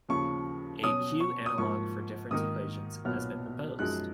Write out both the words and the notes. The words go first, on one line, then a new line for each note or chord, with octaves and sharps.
A q-analogue for difference equations has been proposed.
D#2 C#3 F3 C#6
B2 F#3 C#4 D#6
C#6
D#6
G#2 F3 A#3 C#6
G#2 D#3 A#3 D#4 A#4 D#6
B1 A#2 F#3 B3 F#4 F6
F#2 F3 G#3 D#4 F#6